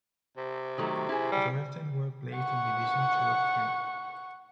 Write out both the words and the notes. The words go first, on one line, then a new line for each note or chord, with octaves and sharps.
Droylsden were placed in Division Two of three.
C3
D#3 F#3 A3
E4 G#4
G3
F#5 C#6